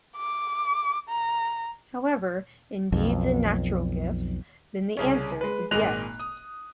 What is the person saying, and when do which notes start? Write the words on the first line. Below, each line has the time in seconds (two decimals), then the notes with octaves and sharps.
However, in deeds and natural gifts, then the answer is yes.
0.17 D6
1.09 A#5
2.92 B1 F2
4.97 C2 C#3 C#4
5.41 G#3 B4
5.71 G#1 A#2 G#3 D#5 F#6 F7
6.20 D#6